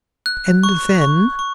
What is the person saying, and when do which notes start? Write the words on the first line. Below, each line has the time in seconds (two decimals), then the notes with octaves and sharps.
"And then?"
0.26 F#6
0.63 C#6
1.02 C#6
1.39 C#6